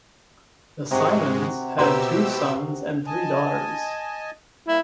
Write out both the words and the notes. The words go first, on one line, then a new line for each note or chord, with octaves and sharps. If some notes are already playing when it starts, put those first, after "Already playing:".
The Simons had two sons and three daughters.
G#2 C3 G#3 F#4 C#6
B2 G4 B4 A#5 C6 E6
D#5 G#5 A5
G3 A#3 E4